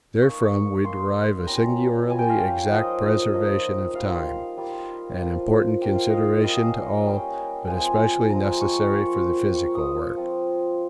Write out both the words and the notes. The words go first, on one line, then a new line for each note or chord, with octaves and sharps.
Therefrom we derive a singularly exact preservation of time--an important consideration to all, but especially necessary for the physical work.
A#3 D#4 C#6
A#3 D#4 C6
G3 C#4 F4 A#5
G3 C#4 F4 G#5
G5
F5
G5
F3 A#3 D#4 D#5
F3 A#3 D#4 D#5
G3 A#3 F4 F5
G3 A#3 F4
F3 A#3 F4
F3 A#3 F4 G5
F5
D#5
F5
G3 A#3 C#4 D#5
G3 A#3 C#4 G5
F3 G#3 C4 G#5
F3 G#3 C4 A#5
C#6
A#3 F4
A#3 F4 C#6
D#6
F3 C4 F4